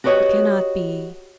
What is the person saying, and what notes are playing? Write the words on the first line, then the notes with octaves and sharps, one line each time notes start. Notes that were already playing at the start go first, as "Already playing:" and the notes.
It cannot be.
F#4 G4 B4 C#5 D#5